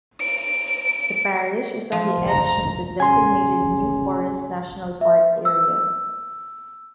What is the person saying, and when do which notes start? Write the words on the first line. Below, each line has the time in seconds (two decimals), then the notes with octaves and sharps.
The parish is on the edge of the designated New Forest National Park area.
0.21 D7
1.92 F3
2.29 A#5
3.00 C#3 G#5 C6
5.01 E5
5.45 E6